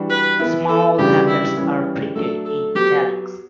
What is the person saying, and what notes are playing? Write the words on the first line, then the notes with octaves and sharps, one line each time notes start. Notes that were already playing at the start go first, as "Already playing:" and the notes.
Small hamlets are printed "in italics".
Already playing: E3 G3 D4 F#4
B4
E3 B3 E4
A4
C#3 E3 G3 D4 F#4 G4
E4
E3 G3 C#4
F#3 A3 D4 A4
A4
F#3 B3 F#4 G4